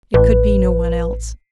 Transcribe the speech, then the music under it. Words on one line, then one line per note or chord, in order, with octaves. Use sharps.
It could be no one else.
A1 B4